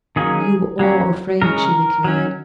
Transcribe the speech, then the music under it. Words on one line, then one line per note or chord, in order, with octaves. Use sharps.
"You are afraid," she declared.
D#3 F#3 A#3 C#4 G#4
F#3 A#3 C#4
C#3 G#3 C#4 A#4
F#3 C#4